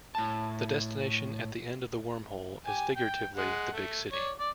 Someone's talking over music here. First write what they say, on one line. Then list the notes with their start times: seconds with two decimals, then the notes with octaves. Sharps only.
The destination at the end of the wormhole is figuratively "the big city".
0.15 A2 A5
2.66 G4 G#5
2.96 G5
3.36 G#3 F#5
3.73 A3
4.12 C#5 D5
4.39 D5